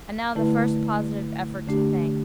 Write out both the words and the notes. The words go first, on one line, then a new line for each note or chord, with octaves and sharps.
And now the first positive effort to think.
D3 A3 E4 B4
D3 A3 D4 G4